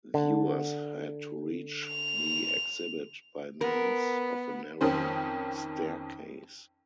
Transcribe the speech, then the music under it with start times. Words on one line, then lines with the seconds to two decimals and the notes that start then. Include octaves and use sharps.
Viewers had to reach the exhibit by means of a narrow staircase.
0.14 D3
1.86 F7
3.61 B3 A#4
4.81 F2 D#3 C#4 C5